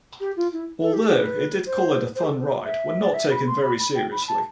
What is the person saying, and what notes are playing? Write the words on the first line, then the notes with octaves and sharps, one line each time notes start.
Although, it did call it a fun ride when not taken very seriously.
G4
F4
E4
A4
G4
A4
B4
C5
C5
G4
A4
C5
E5
D5
E5
B5
C6
B5
B5
G5
B5
A5